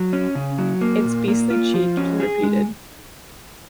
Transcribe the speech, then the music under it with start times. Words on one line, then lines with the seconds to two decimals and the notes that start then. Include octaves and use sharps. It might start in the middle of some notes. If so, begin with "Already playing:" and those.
"It's beastly cheek," he repeated.
Already playing: F#3
0.13 C#4
0.35 C#3
0.58 F#3
0.81 A#3
1.05 A#2
1.28 A#3
1.50 F4
1.74 F3
1.97 C#4
2.20 G#4
2.43 G#3